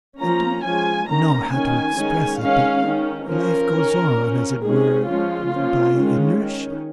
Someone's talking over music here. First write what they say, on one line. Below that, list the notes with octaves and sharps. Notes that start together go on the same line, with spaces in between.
I don't know how to express it, but life goes on, as it were, by inertia.
F3 A#3 C#4 A#5
F3 G#3 C#4 G#5
D#3 A#3 C#4 A#5
D#3 C#4 G#5
D#3 G#3 C#4
D#3 G#3 C#4 F5
D#3 C#4
F3 C#4 A#4
D#3 C#4
F3 C#4
D#3 G#3 C#4 G#4
F3 G#3 C#4 F4
F3 A#3 C#4
D#3 G#3 C#4
D#3 C#4